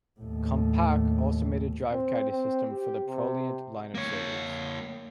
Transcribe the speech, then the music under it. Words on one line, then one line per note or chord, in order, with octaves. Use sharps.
Compaq also made a drive caddy system for the Proliant line of servers.
D#2 A2
C4
C4
G4
C3
A#3 C#5